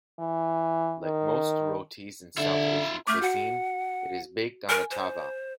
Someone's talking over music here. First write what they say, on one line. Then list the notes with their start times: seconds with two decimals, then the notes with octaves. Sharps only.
Like most rotis in South Asian cuisine, it is baked on a "tava".
0.20 E3
1.03 D#3
2.38 D3 F4 E5
3.07 A3 D6 F6 G6
3.22 F#4 F#5
4.69 A#4 G#5
4.91 C5